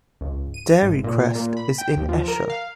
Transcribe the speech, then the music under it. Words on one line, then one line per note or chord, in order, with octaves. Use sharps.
Dairy Crest is in Esher.
C#2
D#7
G#1
A#2
A#2
B5
G5
D#2
F3
A#4
F5